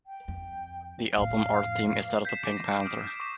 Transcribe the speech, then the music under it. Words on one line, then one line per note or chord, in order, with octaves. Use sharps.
The album art theme is that of the Pink Panther.
G5
F2
F2 A2 F5
G6 B6 C7 E7
D6 D#7
A#6
D6 D#6 F6 G6 D7
G6 D7
C#6 D6 A#6 B6 E7